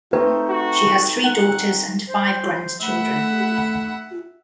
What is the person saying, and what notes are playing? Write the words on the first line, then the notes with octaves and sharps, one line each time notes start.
She has three daughters and five grandchildren.
A3 C4 D#4 B4
F#4
F#5
C5
A3 E5 F#5 B5